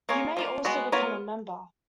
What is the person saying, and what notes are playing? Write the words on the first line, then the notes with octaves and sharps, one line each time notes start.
You may also become a member.
A#3 F4 G#4 C#5
F3 A#3 F4
G#3 B3 F#4
B3 F4 A#4 C#5